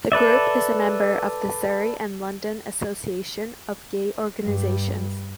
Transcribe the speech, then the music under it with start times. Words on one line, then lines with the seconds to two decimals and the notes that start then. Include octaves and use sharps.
The group is a member of The Surrey and London Association of Gay Organisations.
0.12 A4 B4 D5 E5
4.42 G2 G3